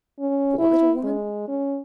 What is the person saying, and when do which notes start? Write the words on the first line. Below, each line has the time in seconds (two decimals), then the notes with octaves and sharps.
Poor little woman!
0.19 C#4
0.59 E4
1.04 G#3
1.48 C#4